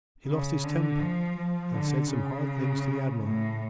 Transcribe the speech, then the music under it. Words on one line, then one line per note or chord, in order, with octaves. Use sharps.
He lost his temper, and said some hard things to the Admiral.
C#3
D3
F3
F3
D3
C#3
A2